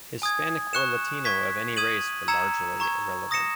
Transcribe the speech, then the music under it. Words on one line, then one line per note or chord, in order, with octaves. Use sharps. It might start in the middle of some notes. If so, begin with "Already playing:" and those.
Hispanic or Latino of any race were largely irrelevant.
G#5 D#6 G#6
C#6 F#6 C#7 E7
C#6 G#6 B6
D#6 G#6 D#7 F#7
A#5 E6 G#6 C#7 E7
A#5 C#6 G#6
D#6 A#6 C#7 E7